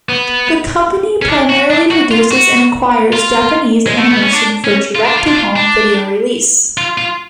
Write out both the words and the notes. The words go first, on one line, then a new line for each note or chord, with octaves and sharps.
The company primarily produces and acquires Japanese animation for direct-to-home video release.
B3
C#4
D4
F#4
D4
F#4
F4
F#4
F4
G#3
A3
B3
C#4
D4
C#4
F4
D4
F4
D4
F4
D4
F4
F4